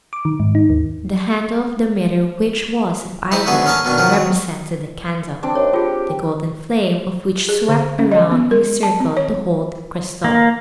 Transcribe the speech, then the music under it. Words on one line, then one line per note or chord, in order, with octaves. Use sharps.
The handle of the mirror, which was of ivory, represented the candle, the golden flame of which swept round in a circle to hold the crystal.
D6
D#3
G#2
D#4
D#2
D#4 E4 C5
D3 A3 B3 F#4 G#4
C#4 G#4 A#4 A5 C#6
B2 D#3 D4
D#3 F3 F#3
F#3
C4 D4 D5
D#2 C#5
F4 G4 G#4
G#4
D3
C#4
D#5
B3
A#4
A5
C4
C#5
A#3